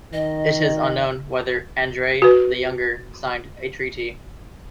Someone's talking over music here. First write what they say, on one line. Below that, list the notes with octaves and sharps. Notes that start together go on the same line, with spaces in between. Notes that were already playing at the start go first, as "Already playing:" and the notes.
It is unknown whether Andrei the Younger signed a treaty.
D#3 D#5
F#4 B4